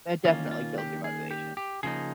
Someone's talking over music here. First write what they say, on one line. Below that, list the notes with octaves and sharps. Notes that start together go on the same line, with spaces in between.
That definitely kills your motivation.
D#3 A#3 C#4 F4
F4
G4
G#4
G4
G4
C#3 F3 A#3 D#4 G#4